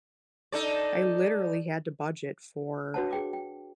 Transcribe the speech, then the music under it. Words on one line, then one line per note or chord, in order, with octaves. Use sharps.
I literally had to budget for,
D#4 A4 D5
D4 F#4 B4 C#5 F#5 A5
G#4 G5 D6
G5